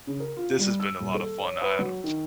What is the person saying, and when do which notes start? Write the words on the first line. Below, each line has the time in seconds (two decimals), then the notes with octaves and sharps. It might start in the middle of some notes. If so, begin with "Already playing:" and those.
This has been a lot of fun, I I don't
0.07 C#3
0.20 A#4
0.37 F4
0.59 G3
0.80 E6
1.01 D#1
1.14 A4
1.43 C#5
1.62 B4
1.79 F#3
2.04 D#3